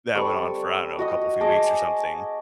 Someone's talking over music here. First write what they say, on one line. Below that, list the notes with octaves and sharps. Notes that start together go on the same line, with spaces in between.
that went on for, I don't know, a couple few weeks or something,
G3 C4 A4 C#6
F#4 D#5 D#6
G#4 D#5 A5 D6